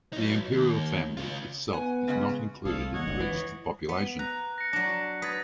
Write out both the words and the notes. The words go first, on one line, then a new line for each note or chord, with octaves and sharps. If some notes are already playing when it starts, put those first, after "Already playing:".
The Imperial family itself is not included in the registered population.
F#3 D#4
D#2
C#3 F4
B3 F#5 G#5
C#3 G#3 F#5
C2 G#4 A4 F5
C#5 D#5 F#5
G1 C#2 G2
E3
B3
A#5 F#6
A#6 C#7
F#3 D4 A#6
B4 D#6 G#6 A6